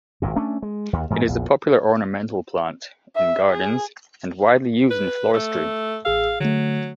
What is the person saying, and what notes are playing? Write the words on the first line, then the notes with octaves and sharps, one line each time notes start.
It is a popular ornamental plant in gardens, and widely used in floristry.
G#1 F#2 A#2
A3 C#4 D4
G#3
D#2
G#2 E3 A3
A#1 E2
E5
G#4
B4
A3
A1 G#4 F5 E6
D3 F#3 A3